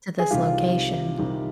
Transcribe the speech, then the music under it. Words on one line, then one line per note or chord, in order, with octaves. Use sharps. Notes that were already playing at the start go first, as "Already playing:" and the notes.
to this location,"
G#4
C2 C3 D#3 G3 F4 G4
C2 C3 D#3 G3